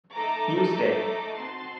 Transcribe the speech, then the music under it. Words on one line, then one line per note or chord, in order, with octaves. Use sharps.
You stink.
A3 D#4 A4 A#5 D6
A#5 D6
C4 D#4 F#4 A5 C6